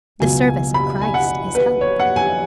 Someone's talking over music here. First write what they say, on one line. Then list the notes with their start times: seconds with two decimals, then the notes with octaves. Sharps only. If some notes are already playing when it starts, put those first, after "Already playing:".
The service of Christ is help.
0.20 C#2 B2 F#3 G#5
0.47 G#5
0.74 B5
1.02 G#5
1.14 F#5
1.55 B4
1.81 C#5
2.00 F#5
2.16 G#5